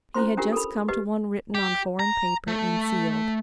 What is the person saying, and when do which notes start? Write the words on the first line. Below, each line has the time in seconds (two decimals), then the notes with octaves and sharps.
He had just come to one written on foreign paper, and sealed.
0.14 C#4 E4 F4 C5 C6
0.37 C#4 D4 F4 G4 A#4
0.52 A4 A#4 B5
0.88 G4 B4 D#5
1.55 G4
1.99 A#5
2.48 A3